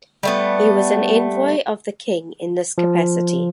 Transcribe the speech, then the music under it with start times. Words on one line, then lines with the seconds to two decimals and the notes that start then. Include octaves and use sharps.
He was an envoy of the king in this capacity.
0.23 G3 A3 B3
2.78 F3